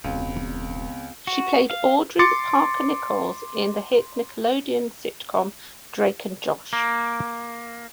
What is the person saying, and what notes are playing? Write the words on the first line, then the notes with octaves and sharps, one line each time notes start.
She played Audrey Parker-Nichols in the hit Nickelodeon sitcom "Drake and Josh".
E1 C#2 B3 C4
F#4
F5
C6 D6 A6 C#7
A#3